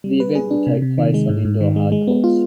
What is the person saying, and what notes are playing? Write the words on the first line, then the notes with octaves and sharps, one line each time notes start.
The event will take place on indoor hard courts.
G3
B4
G#4
D4
C3
C3
D#3
G#3
G#2
G#2
D#3
G#3
G#3
B3
F4